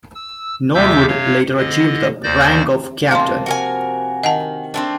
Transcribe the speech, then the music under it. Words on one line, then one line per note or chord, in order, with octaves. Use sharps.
Norwood later achieved the rank of captain.
E6
D#2 C3 E5 D6 E6 G6
C3 C#5 F5
D3 D#5
D#2 C5 D5 G6 A#6
C3 F3 A#3 F5 C6
F#4 A#4 G#5
D#3 D#5 F#5 A5
A3 B3 C4 D4